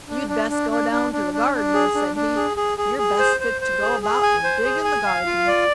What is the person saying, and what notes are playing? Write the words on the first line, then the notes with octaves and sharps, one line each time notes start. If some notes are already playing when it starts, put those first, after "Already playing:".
'You'd best go down to the gardener', said he; 'you're best fit to go about and dig in the garden.'
D4
D4
D4
D4
D4
D4
D4
D4
G#4
D4
D4
G#4
G#4
G#4
G#4
C5
C5
C5
G#4
G#4
G#5
C5
G#4
G#5
F5
F4
D5